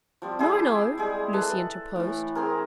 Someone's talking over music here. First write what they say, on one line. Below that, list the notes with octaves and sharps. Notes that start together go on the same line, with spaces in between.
"No, no," Lucy interposed.
F3 G3 C4
E4 G4 G#4
G3 G#3 G#4
A4 B4
A2 E3
C4 G#4 A#4